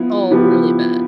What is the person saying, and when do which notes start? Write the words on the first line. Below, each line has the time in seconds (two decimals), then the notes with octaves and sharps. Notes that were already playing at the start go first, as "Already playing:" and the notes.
all really bad.
Already playing: F3 B3 E4
0.30 F3 B3 E4 G4